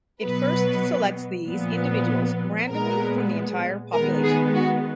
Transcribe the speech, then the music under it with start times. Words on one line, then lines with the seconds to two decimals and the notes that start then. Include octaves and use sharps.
It first selects these individuals randomly from the entire population.
0.23 B2 F#3 B3 B4
1.46 A#2 F3 B3
2.69 A#2 G#3 B3 A#4
3.93 D#3 G#3 B3 A#4
4.23 G#4
4.55 F#4